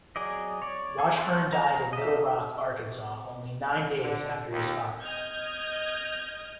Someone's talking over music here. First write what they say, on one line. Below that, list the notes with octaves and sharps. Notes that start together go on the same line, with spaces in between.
Washburn died in Little Rock, Arkansas only nine days after his father.
F#3 G#4 D5 D#5
C#5 D5
G#4 A4
C5 C#5 E5 F#5 A5
A#5
D#5 E5
D3
D#2
D#5 D#6 F6 G6 G#6